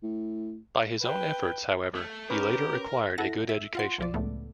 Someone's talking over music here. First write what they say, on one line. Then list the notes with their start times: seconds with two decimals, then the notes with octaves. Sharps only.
By his own efforts, however, he later acquired a good education.
0.03 A2
1.01 B4 G5
1.95 A3
2.30 C#4 G4 A#4 B4 C#5
3.18 E4 A4 F#5 A#6
3.49 E5
3.75 F4 F#5 C6
3.98 B1 F3 D5
4.14 C#2 A2 A3 B3